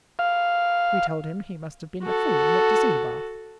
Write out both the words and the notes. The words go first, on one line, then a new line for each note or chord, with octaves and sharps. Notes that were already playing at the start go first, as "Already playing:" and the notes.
We told him he must have been a fool not to see the bath.
F5
F#4 A4